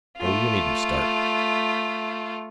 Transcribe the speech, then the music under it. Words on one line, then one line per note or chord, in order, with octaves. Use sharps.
Oh, you needn't start!
A3 F4